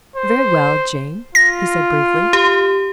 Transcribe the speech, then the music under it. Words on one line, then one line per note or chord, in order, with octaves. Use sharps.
"Very well, Jane," he said, briefly.
C5
F4 A#6
G4